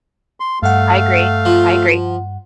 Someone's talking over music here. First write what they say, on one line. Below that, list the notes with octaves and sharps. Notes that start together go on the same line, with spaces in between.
I agree, I agree.
C6
G2 A3 F5 F#5
F3